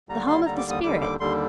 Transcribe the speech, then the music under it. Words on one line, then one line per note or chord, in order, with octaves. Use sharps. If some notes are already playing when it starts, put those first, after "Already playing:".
The Home of the Spirit!
D#2 D3 G3 A#5
C6
D#2 D3 G3 A#5
D6
D#6
D#2 D3 G3 D6
D6
D#2 D3 G3 C6